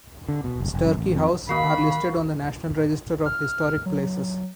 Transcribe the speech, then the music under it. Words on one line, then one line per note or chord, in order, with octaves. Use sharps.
Sturkey House are listed on the National Register of Historic Places.
D3
B2
F#1
F1
F#2
A1
F2
D#3 A#3 F#4 D#5 F5 B5 C7
F6
F#3